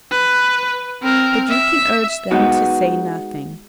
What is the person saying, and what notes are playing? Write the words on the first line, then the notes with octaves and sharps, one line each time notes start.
'But you can urge them to say nothing.
B4
C4 A#4
E5
G#3 B3 D#4 F#4